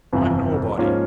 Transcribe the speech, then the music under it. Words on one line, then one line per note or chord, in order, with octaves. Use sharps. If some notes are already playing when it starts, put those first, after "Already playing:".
I'm nobody.
G1 F2 C3 E3
G#2 F3 A#3 C#4 F4